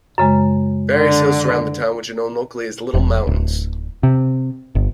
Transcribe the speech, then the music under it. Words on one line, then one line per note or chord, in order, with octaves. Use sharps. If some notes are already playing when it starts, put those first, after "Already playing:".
Various hills surround the town, which are known locally as little mountains.
F#2 C#3 G#3
D3
E1
D1
C3
G1